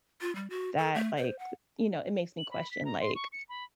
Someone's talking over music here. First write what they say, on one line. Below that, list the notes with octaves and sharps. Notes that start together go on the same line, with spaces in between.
that, like you know, it makes me question like,
F4
G3
F#4
A4
A3
C5
F#5
F#7
B5
B6
A#5
C6
C#6
C#7
B5